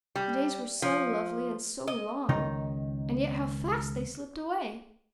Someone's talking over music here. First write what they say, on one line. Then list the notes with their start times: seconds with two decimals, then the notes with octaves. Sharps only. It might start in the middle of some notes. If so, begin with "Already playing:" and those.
The days were so lovely and so long! and yet how fast they slipped away!
0.16 G3
0.82 F3
1.88 D#5
2.29 C#2 D#3 D#4